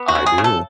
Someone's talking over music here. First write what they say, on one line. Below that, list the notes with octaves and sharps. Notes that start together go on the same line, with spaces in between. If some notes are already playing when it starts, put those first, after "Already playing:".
I do.
Already playing: B3
F#4
C#3
G#4
C#3
A4